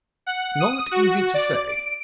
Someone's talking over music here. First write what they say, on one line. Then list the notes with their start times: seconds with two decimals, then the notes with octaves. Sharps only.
Not easy to say.
0.26 F#5
0.60 D#6
0.91 F#4
1.34 D5
1.69 D7